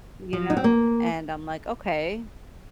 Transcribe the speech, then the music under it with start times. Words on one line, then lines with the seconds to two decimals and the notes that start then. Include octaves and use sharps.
You know, and I'm like, "Okay,
0.33 F3
0.50 D#4
0.57 C4
0.64 A#3